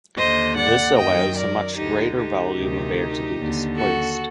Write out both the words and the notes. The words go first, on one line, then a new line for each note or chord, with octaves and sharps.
This allows a much greater volume of air to be displaced.
D#2 D3 C5 D#5
D5 F#5
F#2 D#3 D#5 G5
A#4 D5
D2 D3 D#4 G4
D#4 G4
D2 C3 D#3
D#2 D3
F#4 A4